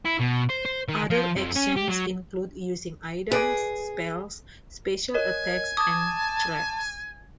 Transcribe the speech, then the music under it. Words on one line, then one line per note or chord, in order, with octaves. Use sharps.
Other actions include using items, spells, special attacks and traps.
E4
B2
C5
C5
D#3
F3
F2
C#4
G4
F#3
G#4 B4 D5 G#5
A#4 C#5 D#5 G#5
A5 D6 D#6 G#6